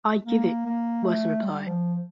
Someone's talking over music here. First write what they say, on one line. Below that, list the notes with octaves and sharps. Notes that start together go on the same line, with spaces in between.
"I give it," was the reply.
A#3
A#3
A3
G3
F3